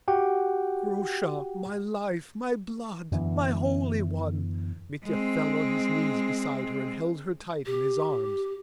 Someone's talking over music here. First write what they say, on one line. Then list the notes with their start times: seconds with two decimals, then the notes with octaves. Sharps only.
"Grusha, my life, my blood, my holy one!" Mitya fell on his knees beside her and held her tight in his arms.
0.08 F#4 G4 F#5 G5
3.12 F#2 D3 E3 B3
5.05 G#3 C4
7.66 G4